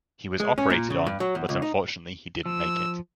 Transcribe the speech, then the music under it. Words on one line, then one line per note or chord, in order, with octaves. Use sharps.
He was operated on but unfortunately he didn't make it.
G#3
C#4
A#2
C#3
G2
F#3
E2
C#2
D#4
F3 E6